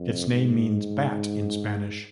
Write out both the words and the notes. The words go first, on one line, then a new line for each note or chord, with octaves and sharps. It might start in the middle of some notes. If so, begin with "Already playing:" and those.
Its name means bat in Spanish.
Already playing: F2
G#2